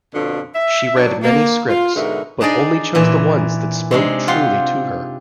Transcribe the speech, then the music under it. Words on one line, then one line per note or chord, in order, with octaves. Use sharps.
She read many scripts, but only chose the ones that spoke truly to her.
F2 B2 D3 D4 F4
E5
F#3 D4
A#3
F4
G#2 B2 D3 A#4 E5
D4 D#4 G#4 D5 D#5
A#2 E3 G#5
C3 G#3 D4 D#4
F4 G4 F#5 C6